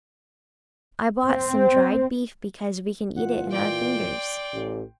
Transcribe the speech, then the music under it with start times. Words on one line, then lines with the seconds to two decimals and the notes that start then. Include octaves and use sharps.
I bought some dried beef because we can eat it in our fingers.
1.26 C4 C5
3.17 A#2 E3 F4 F#5
3.53 D5 G5 C6
4.53 A1